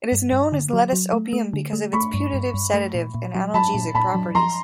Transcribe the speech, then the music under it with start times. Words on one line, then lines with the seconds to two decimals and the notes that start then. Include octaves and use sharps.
It is known as lettuce opium because of its putative sedative and analgesic properties.
0.12 G2
0.32 G2
0.52 D3
0.73 F#3
0.93 F#3
1.13 A3
1.33 A3
1.53 D3
1.73 A3
1.93 A3 B5 C#6
2.14 G2
2.34 G2
2.54 G2
2.74 A3
2.94 A#2
3.15 A#2
3.35 F#3
3.54 F#3 A5 B5
3.74 A#2
3.95 A#2 A5 B5
4.15 F#3
4.35 F3 A#5 C6